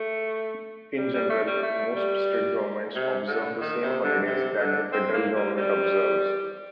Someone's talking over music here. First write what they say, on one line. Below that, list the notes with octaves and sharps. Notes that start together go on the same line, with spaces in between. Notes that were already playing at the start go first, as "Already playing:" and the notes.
In general, most state governments observe the same holidays that the federal government observes.
Already playing: A3
G3
G3
A3
G3
A3
G3
C3
D3
D#3
C3
D3
C3
D3
C4
A#3
G3
G3